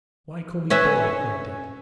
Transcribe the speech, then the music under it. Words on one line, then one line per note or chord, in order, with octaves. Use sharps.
"Why call me 'boy'?" cried Dick.
C#4 B4 E5